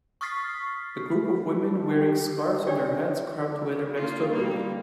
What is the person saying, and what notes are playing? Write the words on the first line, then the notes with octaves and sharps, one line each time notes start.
A group of woman wearing scarves on their heads crowd together next to a building.
C#6 D#6 F6 A6 B6 C7
D4
G4
D4 D#4 G4 C#5 D5 G5
A#3 F4
G3 A#3